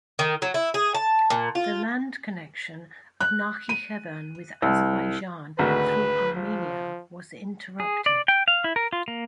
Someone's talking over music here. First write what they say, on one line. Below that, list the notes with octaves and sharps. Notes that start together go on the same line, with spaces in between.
The land connection of Nakhichevan with Azerbaijan through Armenia was interrupted.
D#3
F#3
E4
G#4
A5
A#2
F4
F#6
D#7
C2
G#1 D2 F#4 B4
F3
G#4
D5
G5
F5
E4
A#4
F4
A#3